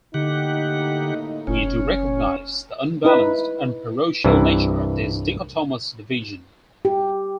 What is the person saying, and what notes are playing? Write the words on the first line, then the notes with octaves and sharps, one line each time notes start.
We do recognize the unbalanced and parochial nature of this dichotomous division.
A2 D3 A#3 D#4 G4 F#5
F#1 C#4
D#4 E4 B4
C2 G2 E3
G4